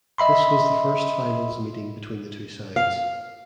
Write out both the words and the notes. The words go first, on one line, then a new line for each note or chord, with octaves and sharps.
This was the first finals meeting between the two sides.
D#5 E5 B5 C6
F5